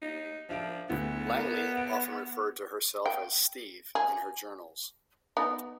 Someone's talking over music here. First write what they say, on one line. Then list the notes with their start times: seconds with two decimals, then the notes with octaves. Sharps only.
Langley often referred to herself as 'Steve' in her journals.
0.02 D#4
0.49 F3 D4 E5 D7
0.89 D2 B3 E4
1.36 A#4 D5
1.77 D7
3.06 G5
3.95 G#4
5.37 B3 D#4